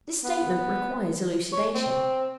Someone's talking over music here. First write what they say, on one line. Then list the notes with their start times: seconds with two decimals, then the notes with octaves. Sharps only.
This statement requires elucidation.
0.24 B3
1.53 C#5
1.75 C4